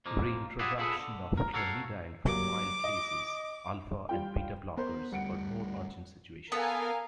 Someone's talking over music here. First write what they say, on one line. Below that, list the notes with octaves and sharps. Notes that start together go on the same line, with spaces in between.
Reintroduction of clonidine for mild cases, alpha and beta blockers for more urgent situations.
F2 F3 A#3
E4 F4 G4 G#4 D5 F#5
B3 E4 F4 G#4 A4 B4
D3
A#4
F#4 A4 A#4 C#5 F5
F#3 G3 A#3 D6
D#5
G3 F4 G5
B3 A#4 C5
D2 G3 F#5 C#7 D7
B3 A4 A#4 F5 G#5